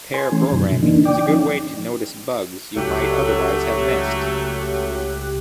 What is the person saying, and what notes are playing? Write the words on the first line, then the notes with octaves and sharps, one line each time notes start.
Pair programming is a good way to notice bugs you might otherwise have missed.
G#5 C6
E3 A3 C#4
F#2 B2 D3 D#3 F#3
D3 E3 A#3 D4 D#4
D5 G5 D6
F3 C#4 D#4
C#2 F#3 A3 G4 F#6